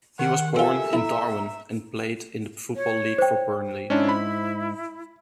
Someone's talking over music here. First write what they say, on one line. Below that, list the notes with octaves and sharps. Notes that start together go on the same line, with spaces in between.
He was born in Darwen and played in the Football League for Burnley.
D#3 F#5
C4 F4 G4 A4 A#4 E5 G#5
E4 A#5
C#5
C5 G5
G#2 C#4 D4 E4
B5